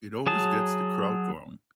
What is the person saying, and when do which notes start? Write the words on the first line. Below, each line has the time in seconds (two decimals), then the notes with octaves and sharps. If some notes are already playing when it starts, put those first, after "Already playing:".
It always gets the crowd going.
0.27 F#3 G#4 A5